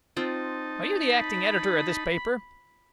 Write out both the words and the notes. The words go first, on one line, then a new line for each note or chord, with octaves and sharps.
"Are you the acting editor of this paper?"
C4 D#4 F4 A5
B5